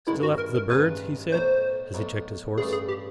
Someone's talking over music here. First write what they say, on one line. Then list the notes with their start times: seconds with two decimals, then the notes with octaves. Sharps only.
"Still after the birds?" he said, as he checked his horse.
0.07 A1 G2 D#3 G#3 E4
0.23 F#4
0.38 A#4
0.54 A#4
0.69 A1 G2 D#3 G#3 B4
1.32 B1 A2 F#3 C5
1.94 B1 A2 F#3
2.58 A1 G2 E3 A3 G#4
2.73 G#4
2.88 G4